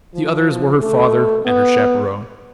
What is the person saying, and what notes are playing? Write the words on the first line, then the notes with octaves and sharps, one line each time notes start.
The others were her father and her chaperone.
F3
A3
B3